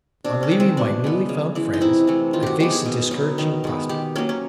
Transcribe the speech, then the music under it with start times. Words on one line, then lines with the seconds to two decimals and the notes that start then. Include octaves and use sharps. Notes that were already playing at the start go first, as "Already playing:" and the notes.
ON leaving my newly found friends I faced a discouraging prospect.
0.24 C3 D4
0.43 C#4
0.51 D#3 G#3
0.60 C4
0.77 B2 D4
1.04 G#3 B3
1.29 C#3
1.55 E3 G#3
1.73 D#4
1.81 C3 E4
2.07 E3 A3
2.33 D#3 F4
2.43 F#4 G4
2.60 G#3 B3 G4
2.72 G#4
2.86 B2
3.11 F#3 B3
3.38 D#3
3.64 G#3 B3
3.89 D#3 G4
4.16 F#3 A#3 C#4
4.29 C#4